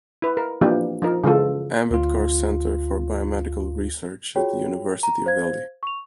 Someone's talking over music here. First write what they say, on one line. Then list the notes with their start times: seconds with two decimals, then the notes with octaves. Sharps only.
Ambedkar Centre for Biomedical Research at the University of Delhi.
0.22 E4 B4
0.37 A#4
0.61 E3 F3 A#3 D4 G4
1.02 F3 D#4 A#4
1.24 C#3 E3 G#3 F4 A4
1.91 D2 F4
4.36 F4 F#4 G#4 C#5 G5
5.03 A#5
5.26 C5 F5 G#6
5.83 C#6 F7